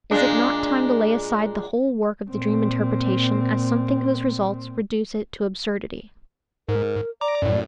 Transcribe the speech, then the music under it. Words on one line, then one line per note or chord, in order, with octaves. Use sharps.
Is it not time to lay aside the whole work of the dream interpretation as something whose results reduce it to absurdity?
A#2 G#3 D4
A#2 C4
G#2 A#4
D5 A#5 D6
F#2 A2